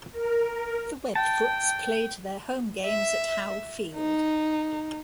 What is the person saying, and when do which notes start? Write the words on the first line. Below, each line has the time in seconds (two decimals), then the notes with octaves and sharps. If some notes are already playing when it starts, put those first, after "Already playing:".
The Webfoots played their home games at Howe Field.
0.11 A#4
1.15 G5 A5
2.86 E5
3.96 D#4